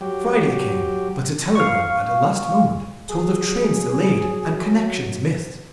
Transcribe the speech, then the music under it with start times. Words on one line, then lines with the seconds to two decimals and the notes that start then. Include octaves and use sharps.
Friday came, but a telegram at the last moment told of trains delayed and connections missed.
0.01 F#3 G4
1.55 F5 C#6
3.10 F#3 G#4